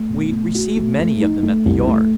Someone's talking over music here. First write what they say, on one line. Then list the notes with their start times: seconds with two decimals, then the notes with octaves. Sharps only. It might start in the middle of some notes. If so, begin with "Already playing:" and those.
We receive many of them at the Yard.
Already playing: A3
0.10 B2
0.32 A3
0.55 F#4
0.77 A3
0.99 A3
1.21 D#4
1.43 A3
1.65 C2
1.87 A3